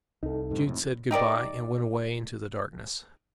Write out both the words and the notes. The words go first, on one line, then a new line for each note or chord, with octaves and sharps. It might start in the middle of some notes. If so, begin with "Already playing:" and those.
Jude said good-bye, and went away into the darkness.
C2 D#4 A4
F2 G#2 C3
F2 A2
D#4 G4 A#4 D5